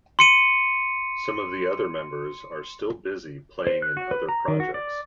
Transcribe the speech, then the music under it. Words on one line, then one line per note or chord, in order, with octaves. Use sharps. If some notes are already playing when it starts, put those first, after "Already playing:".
Some of the other members are still busy playing in other projects.
C6 C#7 D#7
C5
F#6
F#4
B4
A#5
D#3
F#4
D5